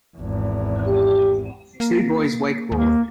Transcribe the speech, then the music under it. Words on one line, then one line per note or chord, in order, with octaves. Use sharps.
Two boys wakeboard.
G#1 E2
G4
A#3
D#2 A#3